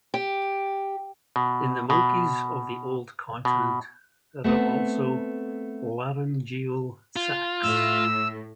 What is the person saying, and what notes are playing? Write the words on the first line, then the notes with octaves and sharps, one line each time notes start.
In the monkeys of the old continent there are also laryngeal sacs.
G4
B2
B2
B2
A3 B3 C4
F4
A2 E6